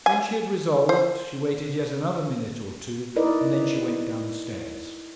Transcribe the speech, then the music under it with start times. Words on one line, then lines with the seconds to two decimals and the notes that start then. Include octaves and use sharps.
When she had resolved, she waited yet another minute or two, and then she went down-stairs.
0.06 G#5
0.89 C5
3.16 D#4 E4 A#4 B4 D5 D#5